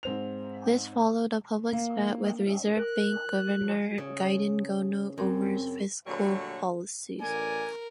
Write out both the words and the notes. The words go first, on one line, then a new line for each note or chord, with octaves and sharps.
This followed a public spat with Reserve bank Governor Gideon Gono over fiscal policies.
G#2 C4 F7
A#3
A#4 F#6
C#3
F#2 C4
A#2 D3 F#3 G3 A3 C#5
A1 A#4 D5 G#5